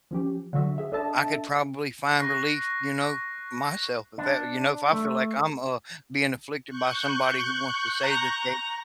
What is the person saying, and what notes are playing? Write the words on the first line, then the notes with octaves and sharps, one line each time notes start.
I could probably find relief, you know, myself if that, you know? If I feel like I'm, uh, being afflicted by somebody who wants to say that they
F3 C#4 G4
D3 F#3 F#4 E5
G#4 E5
D4 A4 D#5 E5 A5
C#6 F#6 A#6 C7
D4
A3
C#6 F#6 G6
A#5